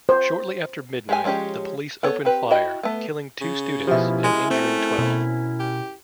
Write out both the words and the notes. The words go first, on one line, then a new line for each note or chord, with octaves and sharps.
Shortly after midnight, the police opened fire, killing two students and injuring twelve.
C5
G#3 G4 G#5
F3 G#3 C#4 G4 C#5
B3 A4 C#5
C4 G4 B4
E4 F#4 D#5 G5
A3 B3
C#3
F#2 B2 F3 C#4 E4 G4 E5
G#3
A3 C4
B2
G4